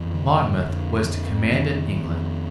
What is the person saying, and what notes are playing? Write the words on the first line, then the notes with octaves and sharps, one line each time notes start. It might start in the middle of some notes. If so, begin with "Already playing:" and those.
Monmouth was to command in England.
Already playing: F2 E3
D3
F2
F2
F2 D#3
F2